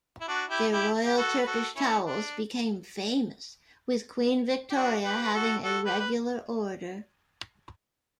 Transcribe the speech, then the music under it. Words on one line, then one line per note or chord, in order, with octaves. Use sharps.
Their Royal Turkish towels became famous, with Queen Victoria having a regular order.
E4
D4 F#4
E4 G4
E4 G4
G4
F#4 A4
B4
F#4 A4
C#4 E4
D4
G4
D4 F#4
G4 B4
B4
F#4 A4
F#4 A4
G4 B4
B4